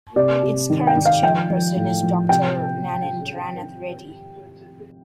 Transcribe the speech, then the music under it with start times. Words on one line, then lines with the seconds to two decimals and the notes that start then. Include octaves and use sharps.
Its current chairperson is Doctor Narendranath Reddy.
0.16 C3 D5
0.43 C3
0.70 D#3
0.87 G5
0.96 D#3
1.05 F5
1.23 F3 G5
1.50 F3
1.76 A2
2.03 F3
2.29 C3 G5